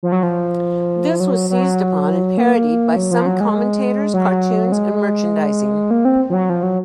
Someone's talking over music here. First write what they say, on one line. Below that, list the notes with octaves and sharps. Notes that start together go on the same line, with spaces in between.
This was seized upon and parodied by some commentators, cartoons, and merchandising.
F3
F#3
F3
F#3
F#3
A#3
F#3
F3
F#3
G#3
F#3
G#3
A#3
C4
F3
F#3
F3
F#3